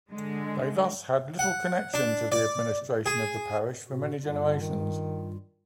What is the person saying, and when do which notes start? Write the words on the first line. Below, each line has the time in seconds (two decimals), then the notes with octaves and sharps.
They thus had little connection to the administration of the parish for many generations.
0.11 D3 G#3
1.39 F#5
1.94 D4
2.32 D5
3.06 G#4
3.88 A2 C3 F#4
4.23 G2 D3 G3 F4
4.61 D#3